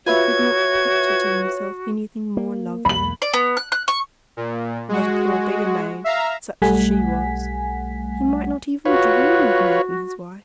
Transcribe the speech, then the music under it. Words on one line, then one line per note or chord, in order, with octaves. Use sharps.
He could not picture to himself anything more lovely. But a poor beggar-maid, such as she was, he might not even dream of making his wife.
F4 F#4 B4 C#5 E5 G#6
A#3
B1 E2 A#3 B5 F#7
D5
B3
F#6
F#6
C#6
A#2
G#3 F#4
E5 F5 A#5
B1 G3 A3 F#5 G#5 B6
F4 F#4 B4 C#5